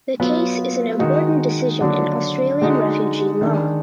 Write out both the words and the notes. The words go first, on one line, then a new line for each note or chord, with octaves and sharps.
The case is an important decision in Australian refugee law.
F#3 B3 F4
D#3 G#3 D#4 F#4
D3 F#3 A#3 D4
D3 G#3 D#4 F#4
D#3 G#3 D4